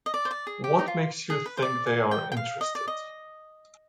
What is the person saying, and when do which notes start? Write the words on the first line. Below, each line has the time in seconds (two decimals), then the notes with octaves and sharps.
What makes you think they are interested?
0.06 D#5
0.14 D5
0.25 C5
0.31 D5
0.47 G#4
0.64 G4
0.79 D#4
0.88 F4
1.30 G#4
1.46 B4
1.57 C5
1.62 D5
1.86 G#5
2.11 G5
2.32 G5
2.37 F5
2.61 D#5
2.75 D5
2.88 D#5